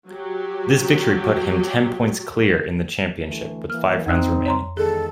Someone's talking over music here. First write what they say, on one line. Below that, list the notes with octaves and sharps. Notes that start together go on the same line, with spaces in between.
This victory put him ten points clear in the championship with five rounds remaining.
F#3 G4
D2 E3 A3
E3 A#3 F6
F2 C4 D#4 E6 F#6
C#5 A#5 C6
E2 D#3 G#3 G#4 A4